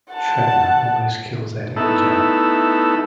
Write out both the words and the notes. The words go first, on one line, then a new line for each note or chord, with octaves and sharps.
Sredna almost kills Eddie and Jack.
F#5 A5
A3 B3 D#4 E4 A4